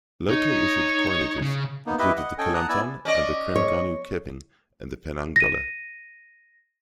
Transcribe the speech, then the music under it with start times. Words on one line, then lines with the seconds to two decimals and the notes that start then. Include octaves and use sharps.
Locally issued coinages included the Kelantan and Trengganu keping, and the Penang dollar.
0.29 D#4 C#5
1.42 C#3
1.86 A#3 B3 D#4
1.99 E4 G4 B4 D#5 E5
2.16 D#5 F#5
2.38 C#4 A4 D#5 G5 G#5
2.54 F#5 A5 A#5 D#6 F#6
2.69 B3 E4 D5 G#5 E6
3.05 C#4 D5 D#5
3.56 C#5
5.36 A#6 D#7